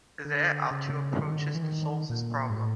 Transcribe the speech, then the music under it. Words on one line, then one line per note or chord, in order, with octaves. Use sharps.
There are two approaches to solve this problem.
D3
C#3
D3
D#3
D3
E3
D#3
A#2
G#2
A2